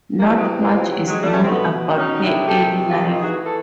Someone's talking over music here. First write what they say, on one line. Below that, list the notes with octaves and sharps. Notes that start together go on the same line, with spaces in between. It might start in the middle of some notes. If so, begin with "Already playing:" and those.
Not much is known about her early life.
A#3
C3 E3 G3 A3
F#3 G#3
G#3 A#3
F3
F#3
F#3 G#3
B2 G3 A3
C#4
C4
A3 B3
C#4 D#4
C3 D#3 D4 E4
G4 A4
F4 G4
D#4 F4
A2 E3 F#4 G#4
A4